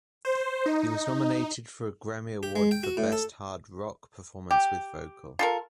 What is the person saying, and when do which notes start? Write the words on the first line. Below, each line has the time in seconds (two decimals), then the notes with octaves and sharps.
It was nominated for a Grammy Award for Best Hard Rock Performance with Vocal.
0.25 C5
0.66 D#4
2.43 G4
2.56 G#3
2.71 G5
2.83 F#4
2.97 A2
3.12 A4
4.51 G4
5.39 F4 A4 A#4